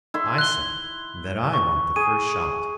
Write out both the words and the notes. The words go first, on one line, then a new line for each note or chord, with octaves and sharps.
"I say that I want the first shot."
E4 C6
F#6 G7
C#6
G#4 D#7